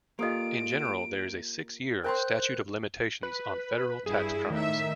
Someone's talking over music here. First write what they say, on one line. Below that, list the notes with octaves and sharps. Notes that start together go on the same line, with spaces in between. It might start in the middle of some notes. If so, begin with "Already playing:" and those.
In general, there is a six-year statute of limitations on federal tax crimes.
A#3 F4 G4 A4 D#5 D7
A#4 C5 G5 A#5 C6 F#6
B4
G2 E4 G#4
A2 D#3 E5